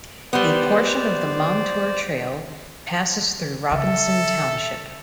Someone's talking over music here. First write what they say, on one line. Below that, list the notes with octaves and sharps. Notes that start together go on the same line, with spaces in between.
A portion of the Montour Trail passes through Robinson Township.
G3 B3 C5 D5
C#3 A4 E5